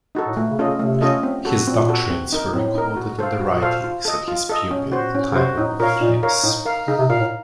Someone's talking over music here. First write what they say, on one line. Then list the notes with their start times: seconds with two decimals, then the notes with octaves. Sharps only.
His doctrines were recorded in the writings of his pupil Timon of Phlius.
0.15 D#4 F#4 A4
0.26 A2
0.36 A#2 A3
0.51 C#3
0.59 C#4 F4 A4 D#5
0.66 C#3
0.79 C3 A3
1.01 C#4 F4 A4 D#5
1.23 C4
1.45 F#4 A4
1.67 A#2 C4
1.89 F#4 A4
2.10 C4
2.33 D#4 A#4
2.53 A2 C4
2.75 D#4 A#4
2.97 F#4
3.19 A4 C5 F5
3.40 A#2 F#4
3.62 A4 C5 F5
3.84 F4
4.05 A4 D#5
4.28 F4
4.49 A4 D#5
4.70 A#2 C#4
4.85 C3
4.92 F#4 C5
4.99 A#2
5.14 A2 C#4
5.32 C#3
5.35 C3 F#4 C5
5.57 A2 D#4
5.79 A#2 A#4 C#5 F5
6.00 A#2 D#4
6.23 A#4 C#5 F5
6.44 A2 D#4
6.65 A#4 F5
6.88 C#3 D#4
6.98 C3
7.09 A#2 A#4 F5
7.20 A2